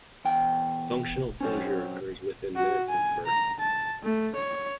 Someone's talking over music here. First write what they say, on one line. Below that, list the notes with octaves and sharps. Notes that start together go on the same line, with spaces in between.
Functional closure occurs within minutes of birth.
E2 G5
F#3 C4 C#4
F#4
G#5
A#5
A5
A3
C#5